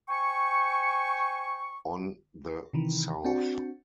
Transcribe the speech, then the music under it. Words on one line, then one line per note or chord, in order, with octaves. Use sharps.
On the South.
C5 G5 G#5 C#6
C3 D#3 E3
C4 D4 F#4